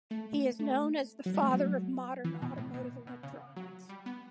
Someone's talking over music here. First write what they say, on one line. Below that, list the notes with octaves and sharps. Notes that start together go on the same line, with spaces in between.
He is known as the father of modern automotive electronics.
A3
A3
F#3
G3
A3
F#3
E3
B2
A2
B2
B2
C#3
F#3
G3
B3